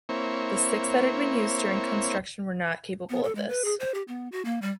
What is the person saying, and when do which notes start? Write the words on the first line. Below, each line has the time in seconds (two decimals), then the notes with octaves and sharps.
The six that had been used during construction were not capable of this.
0.09 A#3 C4 E4 C#5
3.10 B3
3.23 A4
3.35 G#3
3.48 B4
3.65 G#4
3.80 C5
3.94 G4
4.08 B3
4.32 F#4
4.45 A#3
4.62 G3